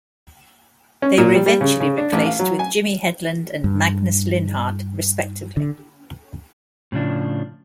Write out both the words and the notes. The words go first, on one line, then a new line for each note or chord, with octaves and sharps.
They were eventually replaced with Jimmy Hedlund and Magnus Linhardt, respectively.
C#4
A#2
G3
G3
C#3
C#3
D4
A1
F5
F#3
G#5
G2
D3
A2 C#3 F3 D4